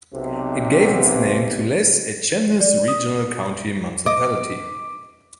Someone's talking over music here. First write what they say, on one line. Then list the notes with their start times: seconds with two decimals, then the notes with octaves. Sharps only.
It gave its name to Les Etchemins Regional County Municipality.
0.14 B1 C3
2.60 D5
2.88 D#6
4.06 D#5 D6